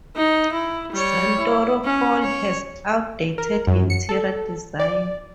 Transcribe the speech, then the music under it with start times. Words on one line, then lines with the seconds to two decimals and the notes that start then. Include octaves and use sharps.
Santoro Hall has outdated interior design.
0.16 D#4
0.53 E4
0.92 G3 C#5
1.39 E4
1.84 C#4
2.22 C#5
3.38 A#4
3.67 F#2
3.90 C#7
4.09 A4
4.79 D5